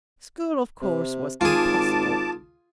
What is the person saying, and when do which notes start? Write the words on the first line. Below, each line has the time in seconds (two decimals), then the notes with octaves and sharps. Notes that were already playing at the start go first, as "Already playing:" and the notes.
School, of course, was impossible.
0.81 C3
1.41 G#1 F4 G#4 A5 D6